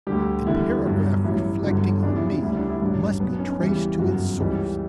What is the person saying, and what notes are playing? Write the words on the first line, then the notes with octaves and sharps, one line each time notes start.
The paragraph reflecting on me must be traced to its source.
D2 D3 G3 G4
E2 D3 G3 E4
G1 G2 F#3
A1 G2 F#3 E4
G1 G2 D3 F#3
E2 C#3 G3 D4
E4
D4
D2 C#3 G3 E4
D4
E4
A1 G2 F#3 D4
B1 B2 F#3 B3
B3
C#4
C#4
E2 C#3 E3 G3 E4
G1 F#2 C#3 F#4
C#2 C#3 E3 G3